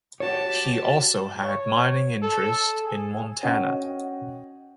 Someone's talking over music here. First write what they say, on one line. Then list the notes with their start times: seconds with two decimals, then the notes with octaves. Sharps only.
He also had mining interests in Montana.
0.20 F#4 G4 C#5 A5
1.42 C#5
2.23 A4
2.83 G#4
3.43 C#4 F#4 D#5 F#5 G5